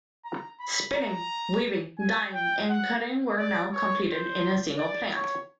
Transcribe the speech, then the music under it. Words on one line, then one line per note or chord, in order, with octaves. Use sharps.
Spinning, weaving, dying, and cutting were now completed in a single plant.
A#5
B5
A#5
G#5
G5
F#5
D5
C#5
C5
D5
C#5